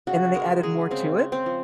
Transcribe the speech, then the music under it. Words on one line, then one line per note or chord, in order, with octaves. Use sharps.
and then they added more to it.
C#3 F#4
G#3 A#4
G#3 G#4
C#3 C4
C#3
C4
F3